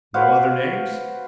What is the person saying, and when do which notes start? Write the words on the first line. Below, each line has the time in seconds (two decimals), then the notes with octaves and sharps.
"No other names?"
0.14 F#4 B4 C5 F5